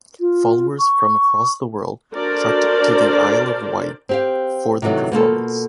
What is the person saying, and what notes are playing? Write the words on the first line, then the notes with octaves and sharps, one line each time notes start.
Followers from across the world trekked to the Isle of Wight for the performance.
F4
C#6
D4 F#4 A4 A#4 C5 D5
C4 G4 F5
C3 D#3 E3 F#3 A3
B2 A#3 F4 A4